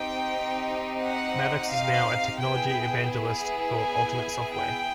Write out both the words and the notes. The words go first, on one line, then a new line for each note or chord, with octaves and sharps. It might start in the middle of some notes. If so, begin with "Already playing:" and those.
Maddox is now a technology evangelist for Ultimate Software.
Already playing: C4 D#4 G4 G5
F#5
F5
B3 E4 G#4 G5
G#5
G5